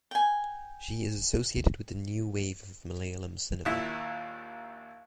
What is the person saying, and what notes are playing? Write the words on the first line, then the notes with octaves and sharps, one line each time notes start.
She is associated with the new wave of Malayalam cinema.
G5 G#5
A#1 D#2 E4 E5